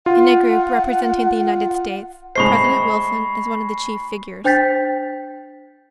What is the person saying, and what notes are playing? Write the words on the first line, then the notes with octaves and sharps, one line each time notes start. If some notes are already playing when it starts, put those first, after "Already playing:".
In a group representing the United States, President Wilson is one of the chief figures.
F4 F#5
A2 G#3 C5 B5 C#6 C7
D4 C5 G5 G6 A6 B6